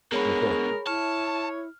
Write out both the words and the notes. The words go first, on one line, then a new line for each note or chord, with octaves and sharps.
Oh, cool.
B2 D3 G#3 G#4 A#4 C#5 B5
E4 C#5 A5 F6